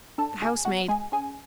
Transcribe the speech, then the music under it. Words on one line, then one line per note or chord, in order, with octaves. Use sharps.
The housemaid.
D4 A4 A5
B2 G#4 G#5
B2 F#4 F#5
G#3 G#4 G#5
C#4 G#4 G#5